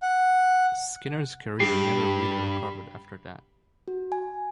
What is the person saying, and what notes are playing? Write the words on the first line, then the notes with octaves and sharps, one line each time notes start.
Skinner's career never really recovered after that.
F#5
G2 G4 B5 C7
F#4
G#5